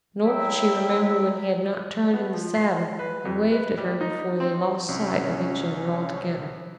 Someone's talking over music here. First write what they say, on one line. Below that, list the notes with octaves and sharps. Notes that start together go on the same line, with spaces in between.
Nor could she remember when he had not turned in the saddle and waved at her before they lost sight of each other altogether.
C2 F#3 E4 E5 G5
B3
F3
C7
B4
F2
B4
G3
D#4
C4
C2 C#4